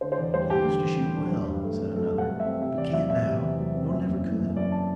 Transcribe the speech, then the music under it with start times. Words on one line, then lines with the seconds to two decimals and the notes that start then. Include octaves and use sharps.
"He used to shoot well," said another; "but can't now, nor never could."
0.01 D3 C5
0.12 C5
0.18 E2 D5
0.34 G3 C5
0.50 D4 G4
0.67 D3
0.82 E2
0.99 G3
1.15 D4
1.31 F#3
1.48 G2
1.64 A3
1.80 C4
1.96 F#3 A4
2.12 G2
2.18 F#5
2.29 A3
2.40 C4 E5
2.61 C3 E5
2.77 E2 D5
2.93 F#3 E5
3.10 C4 E5
3.26 C3
3.42 E2
3.59 F#3
3.74 C4
3.91 F#2
4.07 F#1
4.23 E3
4.39 F#1
4.56 F#2 D5
4.72 A5